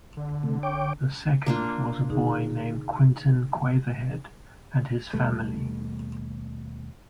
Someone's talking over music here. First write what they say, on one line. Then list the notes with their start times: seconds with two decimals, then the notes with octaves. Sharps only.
The second was a boy named Quentin Quaverhead and his family.
0.17 D3
0.43 C3 A3
0.63 C#5 G5 D6
1.46 A#3 D4 F4
2.10 B2 D3 D#4 G#4
5.13 D#2 B2 G3 A3